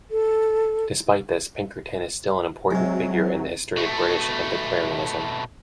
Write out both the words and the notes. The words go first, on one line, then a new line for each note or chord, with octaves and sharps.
Despite this, Pinkerton is still an important figure in the history of British antiquarianism.
A4
C3 F#3 G#3
B2 A3